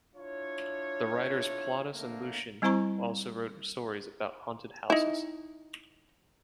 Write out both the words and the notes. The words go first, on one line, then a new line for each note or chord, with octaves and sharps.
The writers Plautus and Lucian also wrote stories about haunted houses.
D4 E4 F4 C#5
F2 D3 A3 A#3
G3 C4 E4 C5 A#5 C#6
D#4 E4